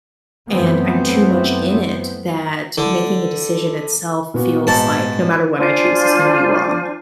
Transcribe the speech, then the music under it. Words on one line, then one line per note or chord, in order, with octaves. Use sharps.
and I'm too much in it that making a decision itself feels like no matter what I choose is gonna be wrong,
F#2 E3 A3 B3 C4
D3 E4
A#2 B3 F#4
G#2 A5
D4 F4 C5 G#5